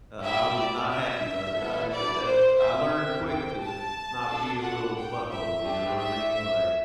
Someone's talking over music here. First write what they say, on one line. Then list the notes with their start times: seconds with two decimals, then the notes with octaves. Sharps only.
Uh, I was not happy about it, I did that I learned quick to not be a little butthole, you know what I mean? Like
0.21 A3 E4 G4 E5
0.55 D5
0.89 E5
1.57 B3 E4 A4
1.91 D5
2.24 C5
2.59 E5
2.92 C4 G4
3.26 G5
3.60 A5
4.28 D4 A4
4.62 F#5
4.97 G5
5.31 E5
5.64 A3 D4 G4
5.97 E5
6.32 E5